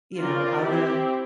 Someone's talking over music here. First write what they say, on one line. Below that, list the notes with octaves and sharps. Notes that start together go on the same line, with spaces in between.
you know, how to
C4 F4 A#4 D5
C4 E4 G4